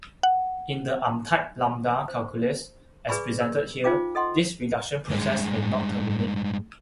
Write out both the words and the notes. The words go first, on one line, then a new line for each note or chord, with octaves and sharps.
In the untyped lambda calculus, as presented here, this reduction process may not terminate.
F#5
C5
G#4 B4 D5 G#5 B5 C#6
A#4
D#4 F4 C5 F5 G5 D6
A4 D#5 F#5 C6
G2 G#3